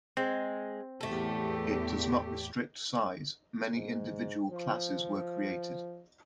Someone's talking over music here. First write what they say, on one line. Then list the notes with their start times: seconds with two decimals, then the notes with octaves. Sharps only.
It does not restrict size-many individual classes were created.
0.17 G#3 C4
1.01 E2 A2 A3 G4 A4
3.77 G#2
4.51 F3